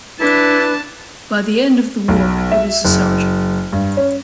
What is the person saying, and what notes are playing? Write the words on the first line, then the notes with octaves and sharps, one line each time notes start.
By the end of the war, he was a Sergeant.
D4 E4 B4 A5
B1
E5
F#1
G2
C#4